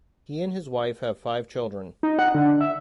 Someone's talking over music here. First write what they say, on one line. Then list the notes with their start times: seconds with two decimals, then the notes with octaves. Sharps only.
He and his wife have five children.
2.03 D#4
2.19 F#5
2.35 D3
2.61 E5